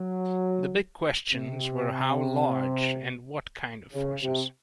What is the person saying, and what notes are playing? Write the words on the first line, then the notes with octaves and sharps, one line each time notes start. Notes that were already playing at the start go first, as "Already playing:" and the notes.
The big questions were how large and what kind of forces.
Already playing: F#3
C3
C#3
C3